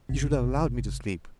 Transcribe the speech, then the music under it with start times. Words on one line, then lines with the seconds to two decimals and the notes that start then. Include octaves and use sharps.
You should have allowed me to sleep.
0.09 G1 C3